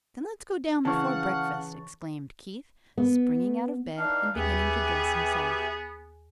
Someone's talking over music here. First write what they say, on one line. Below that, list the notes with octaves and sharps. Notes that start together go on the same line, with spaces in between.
"Then let's go down before breakfast," exclaimed Keith, springing out of bed and beginning to dress himself.
C#3 E3 F5 F#5 A5 C#6
B3
E3 D4 D#4 F5
D#2 B3 G4 G#4 B4 E5